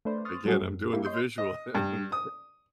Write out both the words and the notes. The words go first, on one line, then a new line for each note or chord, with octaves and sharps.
again, I'm doing the visual, and
A3 D4 B4 C5 D5
C6 C#6 D#6 F6 A6
F#3 G3 A3 C#4 F#4 G#4
F#2
A#3 E4 G4
C#5 D#5 C6 G6
D#5
G2
D#6